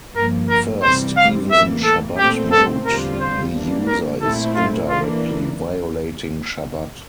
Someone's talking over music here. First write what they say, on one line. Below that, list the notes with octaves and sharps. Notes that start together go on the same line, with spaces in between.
First, even in Shabbat mode, the user is indirectly violating Shabbat.
G2 F3 A#3 A#4
A#4
C3 E3 G3 C4 C5
F5
A2 E3 A#3 E5
A4
A#2 A3 C4 G4
A4
E2 D3 G3 C4 F4 A#4
C5
E3 G3 A#3 D4
A#4
A#2 A3 C4 E4 A4
F4
E3 A#3 D4 F4